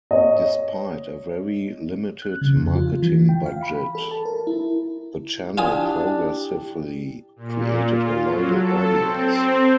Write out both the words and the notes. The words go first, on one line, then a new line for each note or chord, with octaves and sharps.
Despite a very limited marketing budget the channel progressively created a loyal audience.
C#5 D#5
F#6
C#3
F2
F4
E3
G5
F5
B5
A4
A5
A#4
E4
D4 E4 F4 G4 D5 G5 G#5 D#6
A#2
F4
F#3
A4
C4